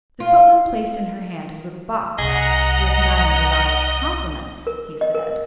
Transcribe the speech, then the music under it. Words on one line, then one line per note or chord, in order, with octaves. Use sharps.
The footman placed in her hand a little box "with Madame du Launy's compliments," he said.
F4
C2 G#4 D#5 F#5 A#5
A#4
D#5
A#4